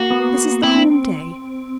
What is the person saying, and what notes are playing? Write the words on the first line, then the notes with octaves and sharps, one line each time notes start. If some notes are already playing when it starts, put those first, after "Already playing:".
This is the home day.
Already playing: A#3 F#4
B3
C4 E4